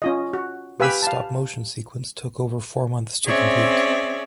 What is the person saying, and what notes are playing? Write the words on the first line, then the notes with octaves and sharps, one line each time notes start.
This stop-motion sequence took over four months to complete.
C#4 F4 D#5
F#4
G4 B4 F5 G#5 B5 E6
F5 A5
C4 C#4 G#4 C#5 D5 E5